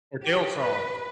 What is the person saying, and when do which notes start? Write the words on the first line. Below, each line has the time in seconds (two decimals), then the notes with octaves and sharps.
or dill sauce.
0.24 G4
0.58 B4